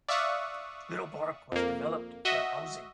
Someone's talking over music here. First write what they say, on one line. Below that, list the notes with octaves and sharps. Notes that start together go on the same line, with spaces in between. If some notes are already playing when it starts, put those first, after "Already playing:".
Little Park was developed for housing.
D5 E5 F5 C#6 D#6 F#6
F2 A#3
F#4 D#5 E5